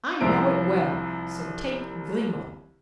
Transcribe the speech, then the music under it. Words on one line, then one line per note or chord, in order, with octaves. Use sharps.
"I know it well, so take Grimaud."
C2 F3 E4 C5 A#5 D7